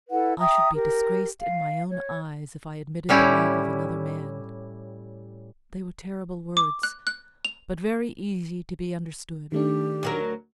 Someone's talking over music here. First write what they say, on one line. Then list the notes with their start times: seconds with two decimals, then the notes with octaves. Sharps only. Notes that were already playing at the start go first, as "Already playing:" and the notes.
"I should be disgraced in my own eyes if I admitted the love of another man!" They were terrible words, but very easy to be understood.
0.11 E4 A4 B4 F#5
0.39 E5 G5 A#5 D#6
0.74 G4 A#4
1.41 F5
1.90 C#5
3.09 A2 G3 C#4 E4 G4
6.57 D6
6.83 F#6
7.07 F#6
7.45 F7
9.52 D#3 A3 D4 G4
10.03 D2 F#3 A#4